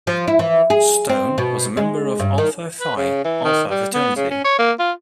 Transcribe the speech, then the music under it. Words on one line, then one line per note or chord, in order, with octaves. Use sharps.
Stone was a member of Alpha Phi Alpha fraternity.
F3
E4
E3
G#4
C4
B2
G#3
G2
D#3
B4
C#3
E3
D#3
G3
B3
C#3
C#4
C#5
A#3
F4